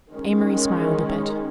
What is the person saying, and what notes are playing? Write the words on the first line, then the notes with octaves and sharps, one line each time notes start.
Amory smiled a bit.
D#3 G#3 C#4